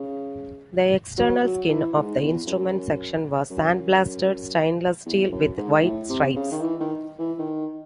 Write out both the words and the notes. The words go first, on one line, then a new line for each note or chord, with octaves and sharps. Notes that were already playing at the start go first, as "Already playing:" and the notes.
The external skin of the instrument section was sandblasted stainless steel with white stripes.
Already playing: C#3
F#3
F#3
E3
G#2
E2
F#2
F#2
E2
F#2
G#2
A2
C3
C#3
D#3
E3
D#3
E3
D#3